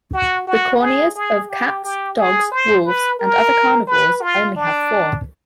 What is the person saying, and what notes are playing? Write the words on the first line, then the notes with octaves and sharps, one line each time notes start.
The corneas of cats, dogs, wolves, and other carnivores only have four.
F#4
F#4
G#4
G#4
G4
G4
G#4
C5
B4
A#4
B4
F4
D4